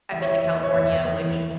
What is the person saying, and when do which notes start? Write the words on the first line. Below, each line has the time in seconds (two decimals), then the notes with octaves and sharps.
I've been to California, which,
0.11 E3 E5
0.22 C#5
0.27 E3
0.33 E5
0.43 E2
0.58 E3 C#5
0.74 E2 E5
0.89 E2
1.05 E3
1.20 E3
1.36 E3